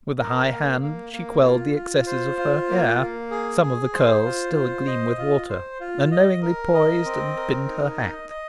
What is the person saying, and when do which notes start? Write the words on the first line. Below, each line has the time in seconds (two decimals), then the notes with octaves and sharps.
With a high hand she quelled the excesses of her hair--some of the curls still agleam with water--and knowingly poised and pinned her hat.
0.20 A#4
0.51 A#3
0.82 A#3
1.13 A#3
1.44 F4
1.75 F4
2.06 C5
2.38 F4
2.69 A#3
3.00 A#3
3.31 G#4
3.62 G#4
3.93 C5
4.25 F4
4.56 C5
4.87 D#5
5.18 F4
5.49 C5
5.80 F4
6.11 D#5
6.43 A#4
6.74 D#5
7.05 C4
7.37 A#4
7.67 D#4
7.99 D#5
8.30 D#5